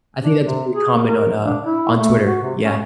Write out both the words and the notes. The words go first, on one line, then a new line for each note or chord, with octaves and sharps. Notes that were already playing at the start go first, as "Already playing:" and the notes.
I think that's a pretty common on, uh on Twitter. Yeah.
D4
C3
G#4
A#3
A#4
D4
E4
A3
F#4
C3
C#4